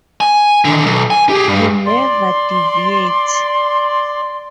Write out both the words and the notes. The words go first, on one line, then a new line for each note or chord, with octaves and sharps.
You never deviate.
G#5
D3 D#3
B1
G#5
G4 G#4
G2
D5 C6